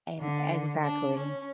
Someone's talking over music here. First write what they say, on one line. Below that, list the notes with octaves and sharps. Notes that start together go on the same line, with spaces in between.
And exactly.
D3
D4
C#4